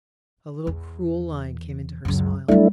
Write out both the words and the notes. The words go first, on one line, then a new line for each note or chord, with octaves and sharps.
A little cruel line came into her smile.
E2
C#2 F#2
F#3 G3 A3 D4 E4